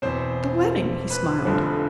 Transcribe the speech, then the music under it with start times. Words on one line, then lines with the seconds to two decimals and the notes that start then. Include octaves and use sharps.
"The wedding," he smiled.
0.02 E2 B2 C4 C5
1.10 B4
1.45 F1 F2 D3 F3